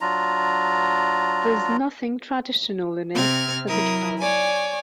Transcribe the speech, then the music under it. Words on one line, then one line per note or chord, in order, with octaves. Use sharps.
There is nothing traditional in it as a carol.
F#3 D4 F4 A#5
C3 C4 F6 G#6
F#3 E4 A#4 D#6
C#5 D5 G#5